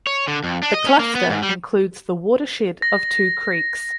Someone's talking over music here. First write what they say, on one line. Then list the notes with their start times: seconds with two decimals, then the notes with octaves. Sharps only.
The cluster includes the watershed of two creeks.
0.07 C#5
0.28 D3
0.44 F2
0.63 D4
0.74 D#5
0.86 C#4
1.00 A#3
1.16 B3
1.30 G#2
1.43 G3
2.82 A#6